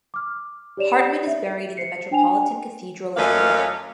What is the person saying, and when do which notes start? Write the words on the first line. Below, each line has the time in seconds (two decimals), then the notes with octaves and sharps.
Hartmann is buried in the metropolitan cathedral of Cologne.
0.14 D6 F6
0.77 G4 C#5 D5 E7 F7
1.27 E5
1.77 C5 C7 C#7
2.11 D4 G5 G#5 F7
3.17 F#2 A3 A#3 C#4 D#5 F5